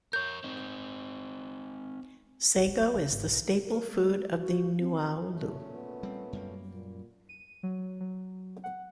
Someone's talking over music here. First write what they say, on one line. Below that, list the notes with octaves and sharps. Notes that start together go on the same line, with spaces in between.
Sago is the staple food of the Nuaulu.
A#4 C#5 G6
C4 D#4
A1
G#3
B3
D#2 C#3
G#1 C4
B1
A#4
G#3
F#4
C4
F#2 A#2 A3 C#4
B3
G3 C4
F#2 G3 A#3
A#2
D#7
F#3
F#3
F#5